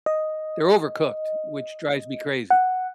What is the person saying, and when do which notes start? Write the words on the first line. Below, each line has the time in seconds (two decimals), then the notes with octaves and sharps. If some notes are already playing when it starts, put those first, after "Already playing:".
they're overcooked which drives me crazy.
0.06 D#5
2.50 F#5